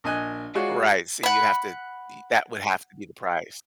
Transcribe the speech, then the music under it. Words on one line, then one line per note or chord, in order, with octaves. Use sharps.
Right, so you have to e that would have to be the price.
A#1 D#5 G#5 F#6
G#3 F4 F#4 C#5 D5
F#5 B5